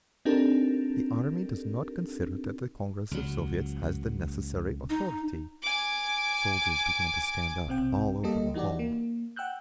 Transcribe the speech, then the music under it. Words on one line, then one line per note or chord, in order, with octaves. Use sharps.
"The Army does not consider that the Congress of Soviets has the necessary authority--" Soldiers began to stand up all over the hall.
C4 D4 D#4 G4 A4 A#4
C#2 F#3
D#4
G#5 D6
B1 C3 C4 G5
G3 A#3 G4 A4 D#5
E3 D#4 F#4 G4 D5
A#3
F#5 G5 E6 F#6 G6